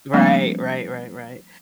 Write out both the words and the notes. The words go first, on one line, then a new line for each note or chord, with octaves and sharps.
Right, right, right, right.
F3 G3 A3 A#3 C4 D4